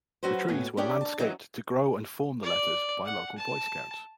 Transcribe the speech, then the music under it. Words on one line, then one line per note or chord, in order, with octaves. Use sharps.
The trees were landscaped to grow and form the letters by local Boy Scouts.
F#3 C#4 F#4 B4 C5
D2 A2 B3 C#5 G#5
C#4 D4 G4 G#4 D5 G5
A5
D#3 E3 F#3 B3 C#4 D#4
D5
F#5
A5